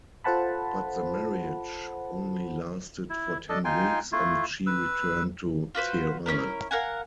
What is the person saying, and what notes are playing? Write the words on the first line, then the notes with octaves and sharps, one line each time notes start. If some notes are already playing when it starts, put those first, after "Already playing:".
But the marriage only lasted for ten weeks and she returned to Tehran.
F4 A4 C5 F#5 A5 B5
E4
D4 A4 D#5
D#4 F4 G5 G#5
A3 E4 F4
B4 E6
F4 F#4 B4 C5
C#4 D4 E4 A#4
A#4 F5 F#5 G#5